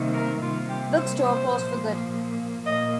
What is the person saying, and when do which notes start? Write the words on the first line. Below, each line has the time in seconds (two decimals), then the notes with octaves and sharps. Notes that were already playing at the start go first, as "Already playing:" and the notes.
Bookstore closed for good.
Already playing: C3 D#3 G3 A#3
0.13 A#4
0.40 C3 G3 A#3 F4
0.68 G4
0.97 C5
1.25 C5
1.54 A#2 F3 A#3
2.66 A#2 A#3 D#5